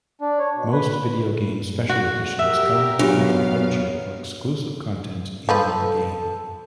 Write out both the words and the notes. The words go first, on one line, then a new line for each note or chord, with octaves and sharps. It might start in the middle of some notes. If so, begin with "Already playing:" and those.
Most video game special editions come with a voucher for exclusive content in-game.
D4
C#5
B2
B4
F#4
G4 A#4 E5
F#2 B3 D4 F4 G4 F5
F3 A4 B4